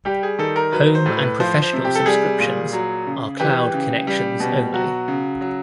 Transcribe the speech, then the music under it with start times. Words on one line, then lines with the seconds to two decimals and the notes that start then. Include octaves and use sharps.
Home and Professional subscriptions are cloud connections only.
0.05 G3 G4
0.23 G#4
0.39 D#3 A4
0.56 A#4
0.72 F#3 B4
0.95 C5
1.06 A2
1.17 B4
1.40 F3 C5
1.62 C5
1.73 C3
1.85 G4
1.95 A4
2.06 G3 G#4
2.40 A#2
2.73 F#3
3.07 C#3
3.40 E3 G4
3.74 C#3
4.07 G3
4.40 B2
4.74 F#3 F#4
5.08 C#3
5.41 F#3